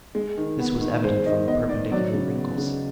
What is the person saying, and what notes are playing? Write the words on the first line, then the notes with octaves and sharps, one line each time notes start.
This was evident from the perpendicular wrinkles.
G#3
D#3
B3
D#3
G#3 C5
D#3 D#5
B3 D#5
D#3 D5
F#3 D5
C#3
B3
C#3